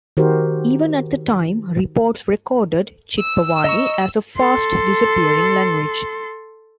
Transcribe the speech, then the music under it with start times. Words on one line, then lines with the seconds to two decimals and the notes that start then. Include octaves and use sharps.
Even at that time, reports recorded Chitpavani as a fast disappearing language.
0.17 D#3 D#4 F#4 G4 A#4 C5
3.20 E6
3.64 D#5 A#5 C#6
4.36 A4 C6